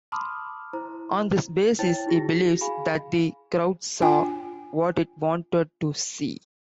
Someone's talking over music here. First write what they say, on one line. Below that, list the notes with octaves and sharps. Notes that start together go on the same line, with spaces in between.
On this basis, he believes that the crowd saw what it wanted to see.
A5 B5 C6 D6 D#6 F6
E4 C5 A#5
E4 C5 C#5 G5 A5 A6
D#4 E4 F#4 G#4 A#6
G#4 F5 G#5 B5
D4 F4 G5 G#5